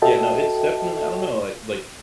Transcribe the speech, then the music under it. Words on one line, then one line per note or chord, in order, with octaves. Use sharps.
Yeah, no, it's definitely I don't know it, like
F#4 A4 D#5 E5 G5 A5